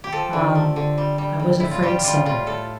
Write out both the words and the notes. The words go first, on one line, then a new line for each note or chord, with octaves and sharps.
Ah, I was afraid so.
G4
F3 A4
D3
A3
D3
G3
G3
A2
A2 E4
F4
G3 G4
G3 F4
A2 F4
A2 A4